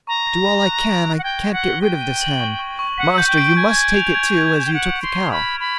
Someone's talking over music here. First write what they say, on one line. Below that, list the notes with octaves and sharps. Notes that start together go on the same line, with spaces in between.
'Do all I can, I can't get rid of this hen, master! you must take it too, as you took the cow.'
A#5 C#6
A#6
A#6
F#6
D7
F#6
F#5
G5 G#6
B6
F#5
G7
G5 D#7
D#7
F#7
C#6
C#6
C#6
F#5 B6
G6
G5
D7
G#5 G#6
G#6
F7
G#6
G#6
G#5 E7
G5
F#5 G6
G6
C6
G6
B5 F6
F6
B5